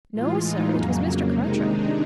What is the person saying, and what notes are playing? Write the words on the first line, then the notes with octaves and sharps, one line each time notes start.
"No sir--it was Mr. Cartwright."
A2 E3 G#3 F4
D#4
F2 C#3 F#3 A#3
C3 D#3 G#3 D#4
D4